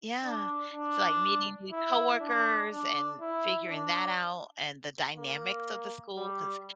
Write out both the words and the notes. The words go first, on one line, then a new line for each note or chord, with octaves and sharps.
Yeah. It's like meeting new coworkers and figuring that out, and the dynamics of the school 'cause
D4
D4
E4
D4
D4
E4
D4
A#3
G3